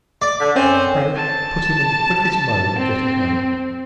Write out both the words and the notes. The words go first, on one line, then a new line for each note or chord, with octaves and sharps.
Pray, put him in the quickest mode of getting home.
D5 D6
D3 B6
F#2 C4 C#4
A5
C4